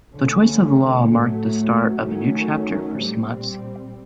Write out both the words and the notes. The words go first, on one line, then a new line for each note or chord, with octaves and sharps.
The choice of Law marked the start of a new chapter for Smuts.
D3 F3 A3 C#4
A2 F#3 A3
D#3 F#3 A3 C#4
A#2 G3 C4